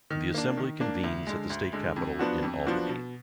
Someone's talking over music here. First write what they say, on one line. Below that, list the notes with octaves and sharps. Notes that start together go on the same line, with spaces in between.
The Assembly convenes at the State Capitol in Albany.
D#3
A#3 D4
D#3
A#3 D4
D2
D3 G#3
D2
D3 G#3
F2
F3 B3 D4 F#4
F2
F3 B3 D4 F#4
B2